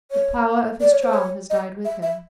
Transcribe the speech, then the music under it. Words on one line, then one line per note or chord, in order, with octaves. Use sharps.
The power of his charm has died with him.
C#5
D5
C#5
C5
C#5
D#5
E5
E5